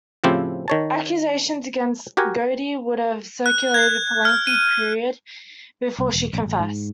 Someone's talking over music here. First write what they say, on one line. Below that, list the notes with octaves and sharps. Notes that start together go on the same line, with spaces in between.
Accusations against Gowdie would have circulated for a lengthy period before she confessed.
A2 C#3 F3 C4 E4 G4
D#3 C#5 A5
F#4 G4 A#4 F#5 G#5
F#6
G#6
F6
D#7
C2
E1
A#1
A1
G#2